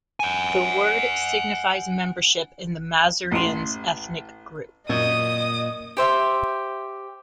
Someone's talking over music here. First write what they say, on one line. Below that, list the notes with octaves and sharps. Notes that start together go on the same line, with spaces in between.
The word signifies membership in the Masurians ethnic group.
F#5 G#5
A1 C6
F#2 A#2 D#5 D#6
G4 C5 E5